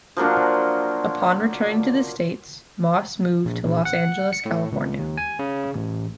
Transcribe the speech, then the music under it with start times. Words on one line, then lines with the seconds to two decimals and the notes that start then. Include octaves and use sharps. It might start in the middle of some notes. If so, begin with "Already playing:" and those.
Upon returning to the States, Moss moved to Los Angeles, California.
0.17 F3 F#3 A#3 D4
3.45 A#1
3.65 A#1
3.85 F#5
4.33 C#7
4.45 A2
4.72 C#2
4.99 D#2
5.17 G#5
5.39 C#3
5.75 A1